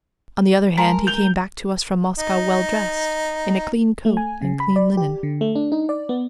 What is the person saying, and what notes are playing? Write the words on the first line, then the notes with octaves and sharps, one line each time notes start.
On the other hand, he came back to us from Moscow well dressed, in a clean coat and clean linen.
G#3 A#4 A5 C6
G6 F7 G7
D#4
A3
G#5
C#3
B5
D5
G4
D3
A3
D4
D#4
D5
B3